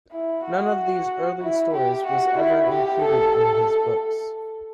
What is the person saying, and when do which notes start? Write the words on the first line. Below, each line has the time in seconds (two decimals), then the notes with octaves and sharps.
None of these early stories was ever included in his books.
0.12 E4
0.44 F#4
1.41 E4
1.74 G4
2.06 F#4
2.38 E4
2.70 G4
3.02 A4